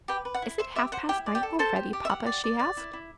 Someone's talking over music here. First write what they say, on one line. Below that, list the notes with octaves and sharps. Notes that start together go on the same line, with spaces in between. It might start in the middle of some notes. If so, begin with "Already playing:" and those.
"Is it half-past nine already, papa?" she asked.
G4 B4 G5
B4
F#5
E4
C5 E5
G4 E5
C5 F#5
E4 G4 G5
D5
G4 G5
A4
A4 C5 A5
G4
G4
E5
G4 F#5
D5
D5
D5
E4
E4